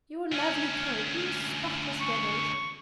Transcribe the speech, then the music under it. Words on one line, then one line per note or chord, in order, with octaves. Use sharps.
Your lovely coat, your spotless feathers!
D2 C#4
C#6